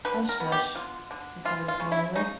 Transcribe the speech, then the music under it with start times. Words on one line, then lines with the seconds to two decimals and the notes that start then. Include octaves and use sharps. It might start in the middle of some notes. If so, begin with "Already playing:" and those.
"Hush--hush!" he said imploringly.
0.05 D3 B4
0.29 A#4
0.40 B3
0.52 G4
0.75 D3 F4
1.11 D3
1.45 E3 F4
1.68 F4
1.80 C#3
1.92 E4
2.15 C#3 D#4